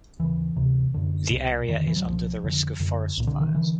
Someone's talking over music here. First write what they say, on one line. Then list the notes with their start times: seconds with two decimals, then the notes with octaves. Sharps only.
The area is under the risk of forest fires.
0.20 D#2 C#3 E3
0.56 D2 C3
0.94 F#2 D3
1.30 C2 B2
1.68 F2 D3 D#3
1.87 E3
1.96 F#3
2.05 C2 A#2 F3
2.43 F2 D3
2.80 F#2 D3
3.17 C2 A#2
3.27 D3
3.41 D#3
3.54 D3 E3